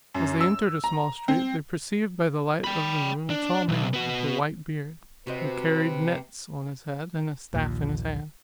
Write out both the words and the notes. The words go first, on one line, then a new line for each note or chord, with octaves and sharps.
As they entered a small street, they perceived by the light of the moon, a tall man, with a white beard, who carried nets on his head, and a staff in his hand.
F#2
E6
A#5
C4
G5 B5
D4
B1 E2
B3 F#4
C3 F#4 B4 C5 D#5
A#1 D#2 A#2